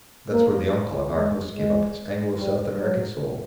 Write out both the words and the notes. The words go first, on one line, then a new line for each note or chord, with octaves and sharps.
That's where the uncle of our host gave up his Anglo-South-American soul.
A#3
G#3
G#3
G3
F#3